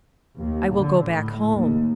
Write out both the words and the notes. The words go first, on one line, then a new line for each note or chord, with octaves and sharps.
I will go back home.
D#2
D3
A2
D#2